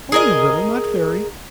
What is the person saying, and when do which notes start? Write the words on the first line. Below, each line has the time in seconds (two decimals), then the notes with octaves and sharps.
"Only a little--not very."
0.12 G#4 A#4 D#5